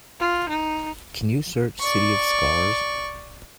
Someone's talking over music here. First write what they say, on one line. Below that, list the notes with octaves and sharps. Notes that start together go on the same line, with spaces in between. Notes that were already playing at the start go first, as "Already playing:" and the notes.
Can you search City of Scars?
F4
D#4
D5 C#6